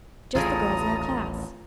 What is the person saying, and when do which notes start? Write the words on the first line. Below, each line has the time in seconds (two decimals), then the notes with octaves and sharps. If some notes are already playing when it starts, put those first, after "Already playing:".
"Just the girls in our class."
0.35 A1 D#2 F4 G#4 A4 D5 A#5 D#6